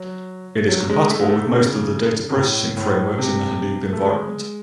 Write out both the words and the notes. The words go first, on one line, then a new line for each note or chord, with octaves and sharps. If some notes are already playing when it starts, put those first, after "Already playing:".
It is compatible with most of the data processing frameworks in the Hadoop environment.
Already playing: F#3
F#3
G#3
A3
G#3
A3
C3
C#3
C3
A2
A2
C3
A3
G#3